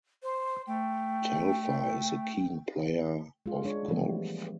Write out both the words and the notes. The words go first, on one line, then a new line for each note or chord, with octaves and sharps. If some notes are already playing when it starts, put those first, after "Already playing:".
Telfer is a keen player of golf.
C5
A3 G5
G#3 F4
G#3 D4 C#5
E3 F3 G3 A3 B3